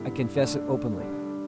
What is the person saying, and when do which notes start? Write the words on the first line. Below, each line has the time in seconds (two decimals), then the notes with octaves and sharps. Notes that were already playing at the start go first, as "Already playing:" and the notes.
I confess it openly.
Already playing: G2 D3 G3 B3 E4
0.35 D3 A3 D4
0.98 D3 G3 D4